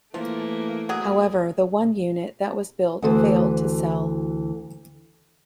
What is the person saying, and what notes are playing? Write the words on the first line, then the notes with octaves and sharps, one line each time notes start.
However, the one unit that was built failed to sell.
E3 F3 A3 A#3
F#3 G#4
D2 E3 F#4 A4 C5